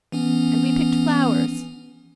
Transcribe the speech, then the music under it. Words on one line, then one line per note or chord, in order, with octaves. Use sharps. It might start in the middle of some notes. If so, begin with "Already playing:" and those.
And we picked flowers.
E3 B3 C#4